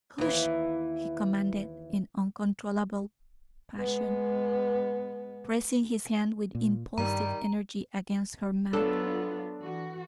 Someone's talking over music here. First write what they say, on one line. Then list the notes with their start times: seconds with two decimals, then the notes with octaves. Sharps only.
"Hush!" he commanded, in uncontrollable passion, pressing his hand with impulsive energy against her mouth.
0.18 D#2 E3
3.77 G#3 B3
6.55 A#2
6.98 G2 D#3 G3 A#5
8.73 F#3 B3 D4 F4 A4 C#5
9.07 D4
9.61 E3 F#4